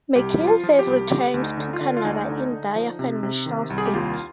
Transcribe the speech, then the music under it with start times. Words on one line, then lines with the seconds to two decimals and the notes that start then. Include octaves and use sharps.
Mackenzie returned to Canada in dire financial states.
0.16 C2 G4
0.39 F3
0.47 F4
0.64 F3
0.79 G4
0.87 C2
1.10 D3 G4
1.34 D2
1.42 D#4
1.57 D3
1.73 F4
1.81 D3
1.97 F4
2.05 D2 D#4
2.28 D3
2.52 D3
2.75 F3
2.99 C3
3.23 C3
3.46 D#3
3.70 C2
3.78 G#4
3.86 G4
3.94 D#2 F4